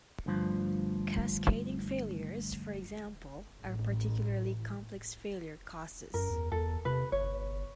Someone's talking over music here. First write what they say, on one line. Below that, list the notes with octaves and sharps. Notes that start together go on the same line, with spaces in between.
Cascading failures, for example, are particularly complex failure causes.
D2 G2 F3
A1
F#2 A#4
E2
E2 A4
C3 B4
G1 C#5